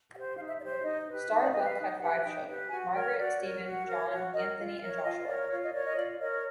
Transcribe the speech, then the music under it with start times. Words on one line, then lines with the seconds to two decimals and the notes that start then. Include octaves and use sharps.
Starbuck had five children: Margaret, Stephen, John, Anthony, and Joshua.
0.12 G4 F#5
0.17 C5
0.36 D#4 F5
0.48 E5
0.59 G4 D5
0.64 C5
0.71 C#5
0.83 D#4 D#5
1.06 G4 B4
1.29 D#4 E5
1.42 D5
1.53 G4 B4 D#5
1.65 F5
1.77 D#4
2.00 G4 B4 F#5
2.22 D#4 G5
2.46 G4 B4
2.69 F#4 G#5
2.93 A#4 C#5 G5
3.16 F#4 D5
3.40 A#4 C#5
3.62 F#4
3.86 A#4 C#5
4.10 F#4 C#5
4.33 A#4 C#5 D#5
4.57 F4
4.79 A#4 C#5
5.02 F4 D#5
5.26 A#4 C#5 D5
5.49 F4 C#5
5.63 D#5
5.72 A#4 C#5 D5
5.85 D#5
5.95 F4 D5
6.19 A#4 C#5 D#5